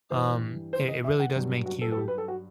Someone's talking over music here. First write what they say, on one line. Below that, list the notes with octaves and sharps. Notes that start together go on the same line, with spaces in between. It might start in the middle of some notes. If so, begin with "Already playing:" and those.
um, it it really does make you
G2 E3 G3 C5
C5
D#5
E5
F#5
G2 F#3
F#4
A4
A4
G4
B4
A4
F#4